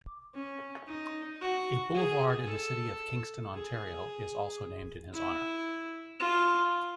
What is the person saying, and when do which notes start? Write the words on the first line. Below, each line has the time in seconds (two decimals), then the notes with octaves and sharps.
A boulevard in the city of Kingston, Ontario, is also named in his honour.
0.34 C#4
0.87 D#4
1.41 F#4
1.94 G#4
2.47 A4
3.54 G#4
5.13 E4
6.20 F4